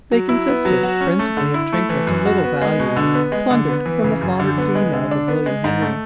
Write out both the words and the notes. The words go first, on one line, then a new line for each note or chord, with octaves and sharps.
They consisted principally of trinkets of little value, plundered from the slaughtered females of William Henry.
F#3
E4
B3
F#3
F#4
C#4
A3
D3
E4
A3
E3
F#2
F#4
B3
G#3
B2
D3
B3
G#3
D3
B3
E3
C#3
F#2
D3
B3
G#3
D3
D4
B3
G#3
G#2
A3